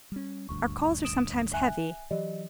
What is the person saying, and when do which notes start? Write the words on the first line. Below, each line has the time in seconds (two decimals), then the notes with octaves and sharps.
Our calls are sometimes heavy.
0.12 G3 C#4
0.49 D#1 D2 G2 C#6
1.05 D#6 D7 E7
1.53 E5 G#5 F#6
2.11 E3 F#3 G4 D5 D#5